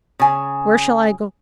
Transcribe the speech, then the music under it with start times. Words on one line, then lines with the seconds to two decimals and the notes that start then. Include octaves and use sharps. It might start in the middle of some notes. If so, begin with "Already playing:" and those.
Where shall I go?
0.20 C#3 G#5